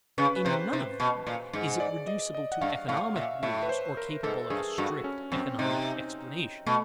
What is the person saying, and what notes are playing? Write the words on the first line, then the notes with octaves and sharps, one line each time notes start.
In none of them is it reducible to economic rules or capable of a strict economic explanation.
C#3 B4
B4
C3 C5
C3 C5
B2
A#2
G#2
D5
D#5
D#5
F#5
G2 F5
A2 F5
A#2 E5
A2 E5
B4
C5
A#4
G#2 A4
G2 G#4
G2 F#4
C#4
F#2 C4
C3 D#4
B2 A3